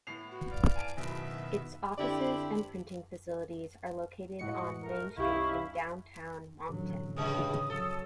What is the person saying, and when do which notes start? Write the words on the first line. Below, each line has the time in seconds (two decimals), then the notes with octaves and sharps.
Its offices and printing facilities are located on Main Street in Downtown Moncton.
0.07 A2 B3 E4 D6 C7 F7
0.31 F#4
0.51 D5 F5
0.76 G#5 A5 D7
0.97 F#1 B2 D#3 E4 F#4 G#4 E5
1.98 D3 C4 D4 E4 G4 D5
4.39 A2 G#3 F#4 D#5 C#7
4.82 A3 A#4
5.18 C2 C#4 D#4 E4 G4 E5 F5 C#6
6.69 A1 D3 F#3
7.17 G2 C#3 G#3 D#6
7.70 F#3 A4